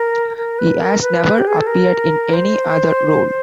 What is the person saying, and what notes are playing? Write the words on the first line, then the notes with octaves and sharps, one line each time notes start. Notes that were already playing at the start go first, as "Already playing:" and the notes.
He has never appeared in any other role.
Already playing: A#4
A#4
B4
A#4
B4
G4
G#4
A4
A#4
C5